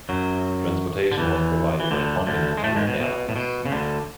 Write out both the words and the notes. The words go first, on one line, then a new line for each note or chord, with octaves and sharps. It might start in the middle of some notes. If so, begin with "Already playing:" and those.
Transportation was provided by Continental Airlines.
F#2 F#3
D3
E2 E3
E3
D2 D3
D2 D3
G#3
A2 A3
G#2 G#3
B2
B2
A2
B2
C#3
D2 D3